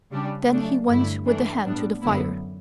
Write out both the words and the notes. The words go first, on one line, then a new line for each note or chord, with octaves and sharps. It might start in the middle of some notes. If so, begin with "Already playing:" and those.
Then he went with the hand to the fire.
C#3 G3 D4 G4
C#3 F#3 A3 D4
G2 D3 A3 E4
E3 A3 D4
A2 G3 B3 D4
F#2 D3 F#3 B3 E4